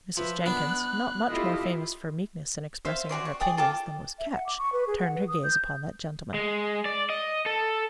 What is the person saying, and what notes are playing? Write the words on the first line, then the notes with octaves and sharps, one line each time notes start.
Mrs. Jenkins, not much more famous for meekness in expressing her opinions than was Ketch, turned her gaze upon that gentleman.
F3 B4 E5
B3 D4 F#6
E4 F4 G4 A4 D#5
C5 E5 F5
F#4 G#4 D5 C6
C#6
G#4 D5 G5 D#6
F4 A4 G5 D6
E5
F#5
D6
C#6
B4
G#4
F#5
B4
D#6
G6
G#3
D5
D#5
A4